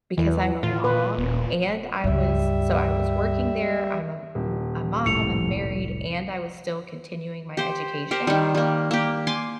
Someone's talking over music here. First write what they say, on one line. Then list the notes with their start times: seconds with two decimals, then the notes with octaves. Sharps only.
because I'm a mom, and I was so I was working there, I'm a m a mom, I'm married, and I was still continuing my education,
0.18 E2 E3
0.63 A2 F4
0.84 A#2 B4
1.18 D#1
2.04 C#2 G2 G3 E5
4.35 D#1
5.06 F1 C2 A2 C#7 F7
7.57 G4 C5
8.11 G4 A#4 C5
8.27 D#3 G3
8.55 G3 A#3
8.91 A#3 G4
9.27 G#5 C6 D6